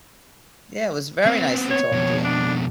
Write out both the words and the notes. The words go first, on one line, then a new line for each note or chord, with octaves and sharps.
Yeah, it was very nice to talk to you.
B3 C4
C#5
F2 B2
D4